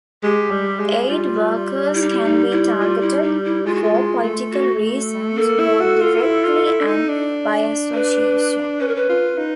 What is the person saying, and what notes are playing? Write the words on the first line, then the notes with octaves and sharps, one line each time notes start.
Aid workers can be targeted for political reasons both directly and by association.
G#3 G4
G3
G#3
G3 F4
E4
D#4
E4
D#4
E4
F4
E4
D#4
E4
G#3 F4
F#4
F4
G#3
A3
F#4
A#3 A4
E4
F#4
F4
E4
F4
E4
D4
D#4
D4
B4
C#4 B4
A#4
B4
F4
D#4